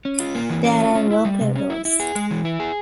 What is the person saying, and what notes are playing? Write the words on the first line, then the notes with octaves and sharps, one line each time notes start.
There are local roads.
C#4
F4
A#3
E3
C#4
F4
C#4
E4
G3
C3
C#4
E4
E4
G#4
G#3
E3
E4
G#4